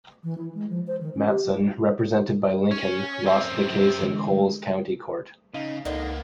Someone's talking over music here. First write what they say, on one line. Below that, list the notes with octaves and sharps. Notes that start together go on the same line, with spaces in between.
Matson, represented by Lincoln, lost the case in Coles County court.
E3
E4
G#3
F3
C5
D#3
C#4
G4
G3
C#4
F#2 C4
D3 E3 G#3
C#3 D#4 D#5 F5
C#2 D3 A#3 B3 D#4 D#5